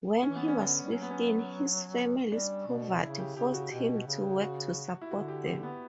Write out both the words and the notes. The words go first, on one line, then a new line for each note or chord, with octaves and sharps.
When he was fifteen, his family's poverty forced him to work to support them.
E3 C#4
B3
C#4
D3
G3
F#3 C#4
B3
C#4
G3 D4
B2
C#3 E4
G4
C#3 G4
F#4
B2 G4
C#3
F#4
E4
D3 F#4
G4
G4
B3